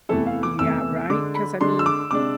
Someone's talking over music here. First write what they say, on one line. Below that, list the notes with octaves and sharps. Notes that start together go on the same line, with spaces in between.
Y yeah, right? 'Cause, I mean
E2 C3 E3 A3 E4 A4
F5
D6
E2 C3 E3 A3 E4 E6
D3 G#3 D4 D6
B5
D3 G#3 D4 C6
E6
D6
C3 G#3 D4 D6